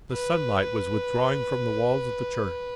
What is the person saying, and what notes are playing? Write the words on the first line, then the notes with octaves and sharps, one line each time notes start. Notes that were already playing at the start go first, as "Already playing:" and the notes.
The sunlight was withdrawing from the walls of the church.
B4